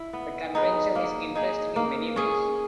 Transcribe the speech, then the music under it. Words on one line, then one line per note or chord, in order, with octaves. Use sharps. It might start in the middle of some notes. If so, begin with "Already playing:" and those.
The convention is interesting in many ways.
Already playing: E4
B3
D#4 G#4 B4
A#3
D#4 G#4
A#3
C#4 G#4